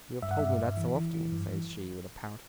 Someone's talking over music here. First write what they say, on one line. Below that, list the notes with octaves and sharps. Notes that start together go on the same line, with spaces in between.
"You have told me that so often," says she, with a pout.
G2 E5
F#5
G2 E5
G2
E3
E3
E3
G2
E3